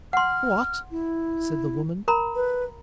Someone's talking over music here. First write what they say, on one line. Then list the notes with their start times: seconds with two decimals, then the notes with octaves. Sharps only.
"What?" said the woman.
0.13 F#5 C6 F6
0.91 E4
2.08 A#4 A#5 B5
2.35 B4